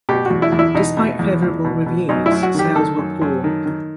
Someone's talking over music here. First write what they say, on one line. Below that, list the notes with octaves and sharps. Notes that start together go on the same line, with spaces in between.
Despite favorable reviews, sales were poor.
B2 G4
E2 F#4
E4
E2
E4
B2 D#4
B2
E2
E2
B2
B2
F#2 D#4
E4
F#2
F#4
D#3 G4
D#3 A4
F#2
F#2
D#3
D#3